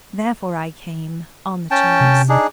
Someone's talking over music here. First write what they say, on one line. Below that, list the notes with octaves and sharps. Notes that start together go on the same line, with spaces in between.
Therefore I came--on the chance.
C#4 G5 A5
C3
D4 D#4 G#4